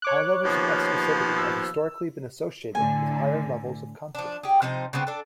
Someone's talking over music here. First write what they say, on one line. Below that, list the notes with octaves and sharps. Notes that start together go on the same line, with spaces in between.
High levels of exclusivity have historically been associated with higher levels of conflict.
C#5 D6 F#6
D#2 B2 F3
E6
A2 D3 G#5
F3 D4
G4 G#4
C3 F3 D#4 C5
C#3 G3 B3 C4
D4 A4